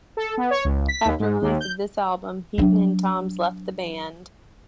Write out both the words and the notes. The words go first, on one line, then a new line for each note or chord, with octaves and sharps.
After release of this album, Heaton and Thoms left the band.
A4
B3
C#5
C#2
B6
D#2
G#2
D#2
G6
F#3 D4